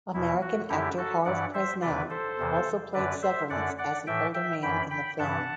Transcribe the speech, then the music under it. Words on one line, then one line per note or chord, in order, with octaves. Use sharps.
American actor Harve Presnell also played Severance as an older man in the film.
E2 B2 E4
F#4
F#2 D3 E4 G4
F#4 A4
G2 E3 D5 F#5
C5 E5
E2 C3 E3 B4 D5
A4 C5
E2 C3 E3
F#2 D3 B4 D5
C5 E5
F#2 D3 D5 F#5
D5 F#5
A2 E3 E5 G5
E5 G5
F#2 E3 G5 B5
G5 B5
G2 E3 F#5 A5